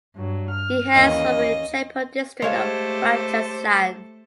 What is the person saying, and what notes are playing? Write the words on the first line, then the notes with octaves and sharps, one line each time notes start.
He hails from Jaipur district of Rajasthan.
G2 F#3
F6
D#2 E3 A#3 C#4 D#5
G#3 A3 G4 A4 C5 C#5 F5